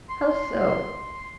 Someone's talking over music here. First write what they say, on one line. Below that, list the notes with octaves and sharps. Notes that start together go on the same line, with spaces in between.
"How so?"
C6